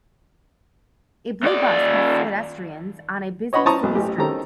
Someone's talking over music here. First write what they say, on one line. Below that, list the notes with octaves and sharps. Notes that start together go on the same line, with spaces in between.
The blue bus passes pedestrians on a busy city street.
D#2 D5
C#5 D#5 F#5 B5 C#6
C#4 C5 A5 A#5 C#6 D#6
B1 E2
A1 G4
D#3 C4 C#4 G4 A4 A#5